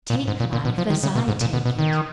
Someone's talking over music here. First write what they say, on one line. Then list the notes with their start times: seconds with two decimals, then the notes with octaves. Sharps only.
Take life as I take it.
0.10 A#2
0.28 G#2
0.40 A#2
0.53 A#2
0.65 B2
0.78 F3
0.90 D#3
1.03 C#3
1.15 B2
1.28 G#2
1.41 A#2
1.53 B2
1.65 B2
1.79 D#3